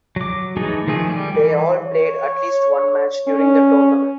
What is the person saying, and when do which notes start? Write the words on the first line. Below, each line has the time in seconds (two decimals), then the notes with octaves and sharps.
They all played at least one match during the tournament.
0.16 F#3 D6
0.57 E3 A3 D#4 G#4 A4
0.87 D#3 F3 A3 G#4
1.10 G3 G4
1.35 E3
1.86 C#5
3.27 C#4